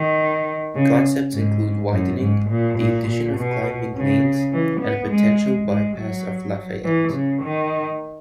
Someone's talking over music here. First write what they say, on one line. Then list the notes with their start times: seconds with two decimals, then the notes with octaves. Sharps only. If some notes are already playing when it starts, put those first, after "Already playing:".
Concepts include widening, the addition of climbing lanes, and a potential bypass of Lafayette.
Already playing: D#3
0.75 C#3
1.33 G#2
1.91 F#2
2.20 G#2
2.49 A#2
2.77 A#2
3.07 A#2
3.36 B2
3.95 C#3
4.52 E3
4.80 B3
5.10 G#3
5.68 G#3
5.96 F#3
6.84 E3
7.13 C#3
7.42 D#3